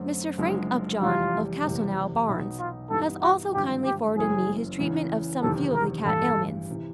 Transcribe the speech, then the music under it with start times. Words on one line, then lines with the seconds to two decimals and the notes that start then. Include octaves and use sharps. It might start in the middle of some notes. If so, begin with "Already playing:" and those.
Mr. Frank Upjohn, of Castelnau, Barnes, has also kindly forwarded me his treatment of some few of the cat ailments.
Already playing: F#2 D3 F#3 A3 C4
0.38 F#1 F#2 D3 F3 G#3
1.01 F1 E2 C3 E3 G3 F4
1.64 F#1 E2 C3
2.27 B1 B2 F#3 B3 D#4 E4
2.59 F4
2.90 G2 E3 G3 B3 D#4 A4
3.22 F#4
3.53 G#1 G2 D3 F3 G4
3.85 G4
4.16 F#1 F#2 C#3 E3 G#4
4.79 E2 C#3 E3
5.42 F#1 E2 C3 D#3 A4
5.74 A#4
6.05 A1 G2 E3 A4
6.70 C3 E3